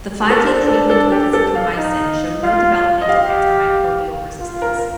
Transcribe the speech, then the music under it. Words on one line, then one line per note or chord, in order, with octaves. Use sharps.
The five-day treatment with azithromycin showed no development of antimicrobial resistance.
G4
A4
A#4
D4 C5
A4
A4
G4
A4
F5
D#4
F4 F5
D#5
G4 F5
F4
A#4